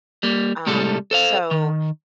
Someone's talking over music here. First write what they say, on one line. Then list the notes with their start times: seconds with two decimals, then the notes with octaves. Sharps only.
Um, so,
0.23 G3 A#3
0.66 A2 C3 G3 G#3 A4
1.11 A4 C5 F5
1.51 D#3